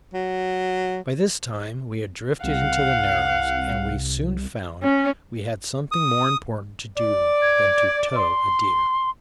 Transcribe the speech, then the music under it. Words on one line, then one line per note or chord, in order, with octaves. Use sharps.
By this time we had drifted into the Narrows, and we soon found we had something more important to do than to tow a deer.
F#3
C2 F5 F#5
C#4
D#6
D5
G#6
C6